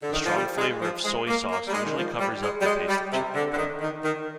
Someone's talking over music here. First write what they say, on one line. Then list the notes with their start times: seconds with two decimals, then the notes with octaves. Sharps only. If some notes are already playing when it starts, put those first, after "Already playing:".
The strong flavour of soy sauce usually covers up the taste of chicken.
0.02 D3
0.13 D#3
0.25 F3
0.36 G3
0.58 G#3
0.81 F3
1.03 G#3
1.27 A#3
1.50 A#3
1.67 G3
1.73 G#3
1.85 D#3
1.96 F3
2.19 G3
2.42 G#3
2.60 G3
2.65 G#3
2.88 G3
3.12 C3
3.35 D3
3.52 D3
3.57 D#3
3.80 D#3
4.03 D#3